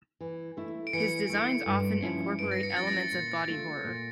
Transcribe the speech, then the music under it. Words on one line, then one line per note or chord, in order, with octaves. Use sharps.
His designs often incorporate elements of body horror.
E3
A3 E4
D7
E3 C#7
A3 E4
G2
F3 C#4 E4
G2 D7
A#6
C#7
F3 C#4 E4 A6
A#6
A#2
A3 D4 F4
A#2